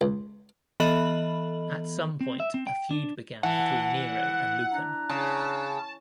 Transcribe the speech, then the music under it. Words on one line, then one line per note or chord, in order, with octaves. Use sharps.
At some point, a feud began between Nero and Lucan.
C#2
E3 B3 A4 D#5 B5 F#7
C4
E5
C4
G5
D4
E3 F#5 A5
F#6
D4 A#5 F#6
C#3 A5